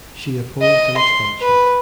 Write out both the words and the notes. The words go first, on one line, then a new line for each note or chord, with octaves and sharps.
She opposed an expansion.
D#5
C6
B4